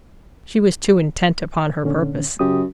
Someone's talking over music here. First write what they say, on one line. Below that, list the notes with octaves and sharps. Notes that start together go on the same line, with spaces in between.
She was too intent upon her purpose.
A#2 D3 C#4
F#2 C#3 G4 D#6